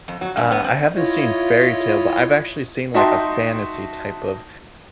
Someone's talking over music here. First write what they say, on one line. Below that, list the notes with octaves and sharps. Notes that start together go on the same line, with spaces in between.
Uh, I haven't seen Fairytale, but I've actually seen, like, a fantasy type of
F2
F#3
G2
B3
C4
E4 F4 C#5 D#5
D#4 F#4 E5 G5 A5 C6